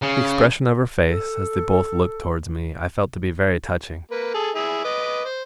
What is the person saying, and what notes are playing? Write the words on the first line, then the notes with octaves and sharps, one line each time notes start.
The expression of her face, as they both looked towards me, I felt to be very touching.
C#3
A4
A#3 B4
G#4 A4
E4 G#4
B4 D#5 D6
C5